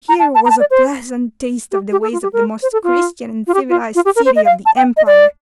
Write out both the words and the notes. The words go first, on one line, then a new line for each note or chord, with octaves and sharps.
Here was a pleasant taste of the ways of the most Christian and civilised city of the Empire!
A#5
A5
A5
A#5
A5
D5
C5
G4
G4
A4
F4
G4
A#4
C5
A4
F4
F4
G4
F4
F4
G4
A#4
C5
D#5
F5
A5
G5
D#5
D5